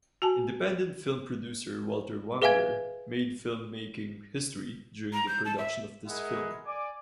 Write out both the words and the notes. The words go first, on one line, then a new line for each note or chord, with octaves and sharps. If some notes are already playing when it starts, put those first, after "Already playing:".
Independent film producer Walter Wanger made film-making history during the production of this film.
F#4 G#5 A5
G#4 B4 E5 F5 G#5 G#6
A#5
G6
A5
E5
G#3 E4 A#4 F#5
D5 G#5 D6